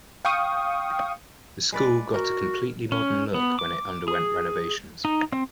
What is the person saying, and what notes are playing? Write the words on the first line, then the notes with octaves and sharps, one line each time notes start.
The school got a completely modern look when it underwent renovations.
F5 G5 C#6 D#6
G#3 B4 D5
F#4 A#4
C#4
B3
D6
G#4
D#4
C4